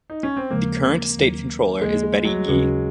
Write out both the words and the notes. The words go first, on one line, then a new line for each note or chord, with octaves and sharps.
The current state controller is Betty Yee.
D#4
C#4
C4
D#2 C#3 F3 G#3 A#3
D#2 D#3 F#3
D#2 C#3 F3 G#3 A#3
G#3
F#3
D#2 C#3 F#3 G#3 C#4 F#4